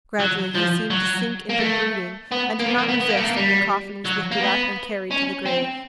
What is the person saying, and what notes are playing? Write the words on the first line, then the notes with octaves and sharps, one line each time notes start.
Gradually he seemed to sink into brooding and did not resist when the coffin was lifted up and carried to the grave.
F#3
F3
F#3
A#3
A3
B3
A#3
B3
A#3
B3
B3
A#3
A3
A#3
G3
F#3
A#3
B3
C#4
C4